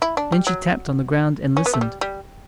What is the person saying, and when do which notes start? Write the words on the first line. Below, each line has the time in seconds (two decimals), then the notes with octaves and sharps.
Then she tapped on the ground and listened.
0.02 E4
0.17 D4
0.32 G3
0.47 F#3
1.57 C#4
1.66 B3
1.74 A3
1.81 G3
2.01 G3